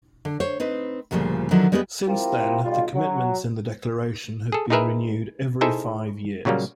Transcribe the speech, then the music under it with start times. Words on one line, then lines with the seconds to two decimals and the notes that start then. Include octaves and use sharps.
Since then, the commitments in the Declaration have been renewed every five years.
0.25 D3
0.40 C5 C#5
0.60 C4 D#4 B4
1.11 D2 A#2 C#3 F3 G3
1.51 D3 D#3 F3 F#3 E4
1.72 G3 G#3 B3 E4 G4 B4
2.07 C4 E4 F4 G4 A#4
2.63 B1 G3 F4
2.95 F#3
4.52 G#4 A4
4.70 D#4 E4 G#4 A#4 B4 E5
5.61 D#4 E4 G#4 A4 C5 E5
6.45 A#2 C#3 F#3 G3 A#3